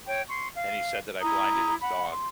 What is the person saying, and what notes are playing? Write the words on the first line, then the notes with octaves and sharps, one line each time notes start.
and he said that I blinded his dog.
C#5 G5
C6 C#6
F5
E4 A#5 D#6
F#5 B5
C6